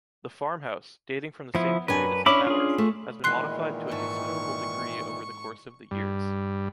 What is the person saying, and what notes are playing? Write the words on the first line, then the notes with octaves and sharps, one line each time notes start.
The farmhouse, dating from the same period as the tower, has been modified to a considerable degree over the course of the years.
F3 B3 E4
F#2 D4 B4 G#5
C#4 D4 E4 B5 D6
F4 G#4
A3
A#2 D#3 E3 G#3 B3 C6 F#6 C7
G#2 A3 C#6
G2